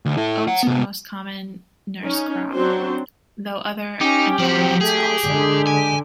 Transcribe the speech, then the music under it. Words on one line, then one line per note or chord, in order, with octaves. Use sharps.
Oats are the most common nurse crop, though other annual grains are also.
D2
E4 A4
C#5 F#5
C3 B3
C#4 D#4
F#3 C4 D4 F#4 C5
C#4 D#4 G4
F3 C4 F#4
A3 G#4
D3 G#3
G#5